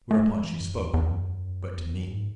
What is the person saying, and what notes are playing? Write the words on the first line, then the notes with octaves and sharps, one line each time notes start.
Whereupon she spoke, but to me.
A3
G#3
E3
F#2
E2
E2
F#2
E2
F#2
G#2